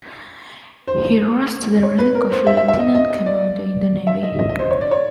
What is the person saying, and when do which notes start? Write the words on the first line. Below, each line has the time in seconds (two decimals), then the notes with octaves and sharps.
He rose to the rank of lieutenant commander in the Navy.
0.88 C5
1.83 C#5
1.99 B4
2.15 A#4
2.32 C5
2.47 E5
2.57 E5
2.68 E5
2.79 D#5
2.95 D#5
3.10 D#5
3.26 D5
4.07 E5
4.23 D#5
4.39 D#5
4.49 D#5
4.59 C5
4.71 C#5
4.81 D5
4.91 C#5